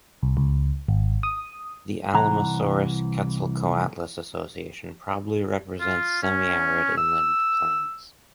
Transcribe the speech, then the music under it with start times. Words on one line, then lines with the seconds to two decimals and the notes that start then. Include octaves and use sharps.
The "Alamosaurus"-"Quetzalcoatlus" association probably represents semi-arid inland plains.
0.23 C2
0.37 C#2
0.88 G#1
1.23 D#6
2.14 C2 E3 F#5 A#5
5.80 F4
6.23 C#4
6.98 E6